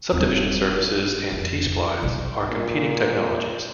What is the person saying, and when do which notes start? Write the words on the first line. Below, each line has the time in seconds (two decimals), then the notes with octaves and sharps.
Subdivision surfaces and T-Splines are competing technologies.
0.12 D#1 C4
1.32 F2
2.03 B1
2.49 A#2